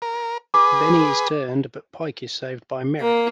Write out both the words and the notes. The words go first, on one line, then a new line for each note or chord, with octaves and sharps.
Benny is turned but Pike is saved by Merrick.
A#4
G#4 B4 D6
A#3